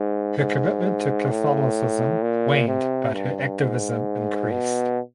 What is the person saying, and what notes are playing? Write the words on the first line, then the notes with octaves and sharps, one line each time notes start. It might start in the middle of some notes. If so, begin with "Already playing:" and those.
Her commitment to Catholicism waned but her activism increased.
Already playing: G#2
G#2
A2
A#2
C3
G2
G#2
B2